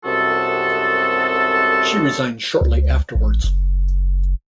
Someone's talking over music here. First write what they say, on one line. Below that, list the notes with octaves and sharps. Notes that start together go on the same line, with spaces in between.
She resigned shortly afterwards.
C2 F#2 C3 G#3 F#4 A4
C#2
A1
F#1